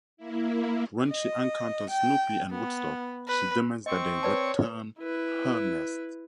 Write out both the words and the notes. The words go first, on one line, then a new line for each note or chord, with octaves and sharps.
When she encounters Snoopy and Woodstock, she demands that they return "her" nest.
A#3 E4
D#5
G5
B3
B4
C4 D#5 C#6
B4 C#5 D5 A5
E4 B4